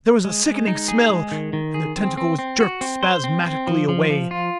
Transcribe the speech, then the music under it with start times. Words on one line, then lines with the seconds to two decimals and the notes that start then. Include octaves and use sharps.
There was a sickening smell--and the tentacle was jerked spasmodically away.
0.25 G#3
0.46 G#3
0.67 D#4
0.88 G#4
1.10 G#3
1.31 D#3
1.53 D#3
1.74 G#4
1.96 C4
2.17 C4
2.39 C4
2.60 F#4
2.81 C4
3.03 C5
3.24 C4
3.46 C4
3.67 F3
3.89 F3
4.10 F3
4.31 F4